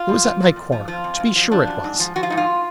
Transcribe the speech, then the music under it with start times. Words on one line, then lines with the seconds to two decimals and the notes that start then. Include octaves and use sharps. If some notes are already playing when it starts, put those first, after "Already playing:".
It was at my corner. To be sure it was!
Already playing: F4
0.09 F3
0.24 F3
0.40 A#2
0.56 F2
0.72 F3
0.88 F3 F4
1.04 F2
1.20 F#2
1.36 F3
1.52 F3 D4
1.67 F#2
1.84 G#2
2.00 F3
2.16 F3 F#4
2.23 F4
2.30 G#2 D#4
2.37 F4